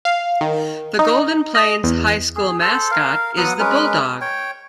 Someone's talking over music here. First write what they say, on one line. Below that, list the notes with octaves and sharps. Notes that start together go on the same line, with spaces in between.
The Golden Plains High School mascot is the Bulldog.
F5
D#3
D#4
D#5
E2
G#4
A4 C5
A#4 F5
F#3 B3 F#5 D#6
G#3 C#4 A#4 B4
C#5 G5